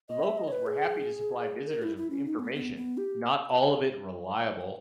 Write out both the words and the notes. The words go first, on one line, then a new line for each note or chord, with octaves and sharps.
The locals were happy to supply visitors with information, not all of it reliable.
D#5
E5
D#5
C#5
B4
G#4
A#4
E4
E4
C#4
D#4
B3
B3
B3
G4